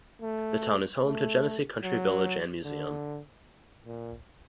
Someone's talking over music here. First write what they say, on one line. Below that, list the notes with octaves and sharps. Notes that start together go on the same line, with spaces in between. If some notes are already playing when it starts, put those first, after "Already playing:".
The town is home to Genesee Country Village and Museum.
A3
A3
F#3
D3
A#2